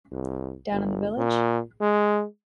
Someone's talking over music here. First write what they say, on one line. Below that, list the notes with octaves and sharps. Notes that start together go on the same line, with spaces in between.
Down in the village?
C2
G1
A#2
G#3